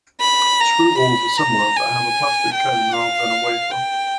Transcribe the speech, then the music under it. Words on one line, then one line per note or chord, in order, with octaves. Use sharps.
Screwballs are similar but have a plastic cone rather than a wafer.
B5
A#5
B5
A#5
G#5
G5
F5
G5